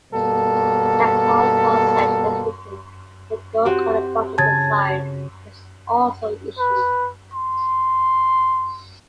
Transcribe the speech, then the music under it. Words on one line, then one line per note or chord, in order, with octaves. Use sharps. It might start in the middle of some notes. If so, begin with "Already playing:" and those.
A cloth lozenge depicting the gold colored button design was also issued.
B2 G3 A#3 A4
C4 F#4 G4
C#3 A5 G#6 A6
B4
C6